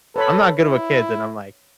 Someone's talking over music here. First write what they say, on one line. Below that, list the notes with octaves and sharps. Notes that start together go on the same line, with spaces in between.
I'm not good with kids," and I'm like
A4 B4 C#5 B5
E4